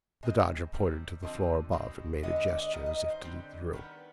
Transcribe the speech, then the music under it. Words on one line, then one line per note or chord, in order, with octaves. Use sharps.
The Dodger pointed to the floor above, and made a gesture, as if to leave the room.
B2 G#3 C4 D#5
C3 G3 C4
D3 F3 C4 D#5
B2 G#3 C4
D3 G#3 B3 D#5
D#5
D5
D#5
D#3 G3 B3 D#5
D#5
D#5
C5
D3 G3 C4
D#3 G3 B3 B4